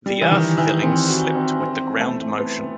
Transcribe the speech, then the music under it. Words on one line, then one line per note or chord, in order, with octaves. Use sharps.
The earth filling slipped with the ground motion.
G3
E3
D#3
E3
C4
F#4
C4
C4
A3
B3